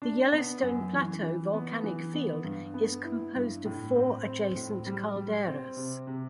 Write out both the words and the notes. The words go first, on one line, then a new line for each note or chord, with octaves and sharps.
The Yellowstone Plateau volcanic field is composed of four adjacent calderas.
D4
B3
F#2
E3
E3
B3
E3
B3
G2
B3
E4
G2
A2
C4
C4
A2
G3
G3
C4
C3
C3